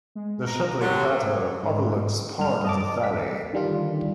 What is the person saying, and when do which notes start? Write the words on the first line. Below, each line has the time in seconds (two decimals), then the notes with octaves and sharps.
The Shipley Plateau overlooks part of the valley.
0.15 G#3
0.47 A#5
0.81 D3 F#3 G4
1.63 G#2
2.39 G2 F6
2.65 D#5 A5 D6
3.03 B6
3.53 D3 D#3 G3 D4 F4